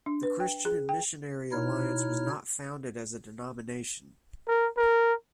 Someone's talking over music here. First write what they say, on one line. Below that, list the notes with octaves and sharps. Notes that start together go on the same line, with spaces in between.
The Christian and Missionary Alliance was not founded as a denomination.
D4
B4
G5
G#4
G5
B2 D#4 E4 C#5 F6
A#4
A#4